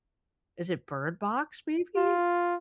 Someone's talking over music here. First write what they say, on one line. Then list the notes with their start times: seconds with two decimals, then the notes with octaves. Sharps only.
Is it Bird Box maybe?
1.97 F4